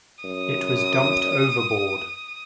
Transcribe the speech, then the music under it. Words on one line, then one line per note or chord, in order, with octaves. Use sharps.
It was dumped overboard.
F#2 D#6